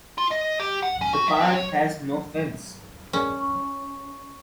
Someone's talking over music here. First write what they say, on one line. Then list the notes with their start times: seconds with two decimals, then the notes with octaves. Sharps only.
The park has no fence.
0.18 F4
0.31 D#5
0.60 G4
0.83 F#5
1.01 C#4
1.13 F#4
1.28 E5
1.41 C4
1.54 C#5
3.13 C#4 G#4 A#4 D5
3.40 C#6